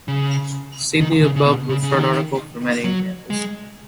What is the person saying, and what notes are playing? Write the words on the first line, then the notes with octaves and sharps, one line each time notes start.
See the above referred article for many examples.
C#3
D#3
C#3
C#3
B2
C#3
C#3
D#3
F#3
G#3